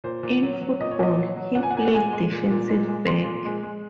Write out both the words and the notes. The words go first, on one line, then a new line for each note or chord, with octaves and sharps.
In football, he played defensive back.
A#2 C5
A#2
F#3
F#3
A#2 D#5
C#5
A#2 D#5
F#3
F#3
A#2 F#5
G#5
F#5
A#2 G#5
F#5
G#3 G#5
G#3
A#2
A#2
G#3
G#3
A#2 C6
A#2
G#3
G#3